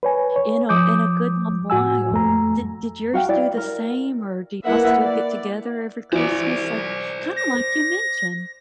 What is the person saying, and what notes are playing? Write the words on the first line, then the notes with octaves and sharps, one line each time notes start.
in a in a good long while. Did did yours do the same or do y'all still get together every Christmas? Like, kinda like you mentioned.
B4 C#5 G#5
C#5
F3 D6 D#6 G6
A2 F#4 G#5 E6
F2 A3 A#5
F#4 F5 G5
E4 D5
A#4
A#3 E4 A#4 B4 E5 F#5
D5
E3 C5 D5
A#6